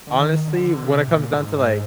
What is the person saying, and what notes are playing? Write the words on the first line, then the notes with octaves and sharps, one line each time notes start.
honestly, when it comes down to, like,
D3
D#3
D3
D3
C3
A#2
G#2